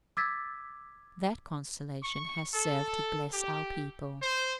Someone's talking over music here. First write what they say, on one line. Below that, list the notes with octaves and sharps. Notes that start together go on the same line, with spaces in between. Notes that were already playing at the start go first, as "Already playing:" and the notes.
That constellation has served to bless our people.
D6 E6 G#6 A6 B6
C#6
A4
G4
C5